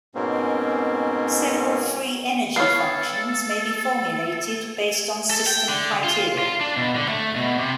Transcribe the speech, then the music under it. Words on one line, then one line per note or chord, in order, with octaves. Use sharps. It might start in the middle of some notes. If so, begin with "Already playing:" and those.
Several free energy functions may be formulated based on system criteria.
G#2 B2 A#3 C4 C#4
B3 A4 C#5 F5
A4
G5
D3
F4
F4
D4
B2
D3
A3
B2
C3